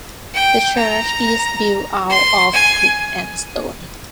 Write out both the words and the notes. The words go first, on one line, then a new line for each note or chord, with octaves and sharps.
The church is built out of brick and stone.
G5
A#5
C6
G#5